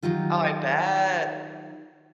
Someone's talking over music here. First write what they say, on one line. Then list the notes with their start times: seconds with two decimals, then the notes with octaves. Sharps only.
I bet!
0.03 D#3 F#3 D#4 F4 G4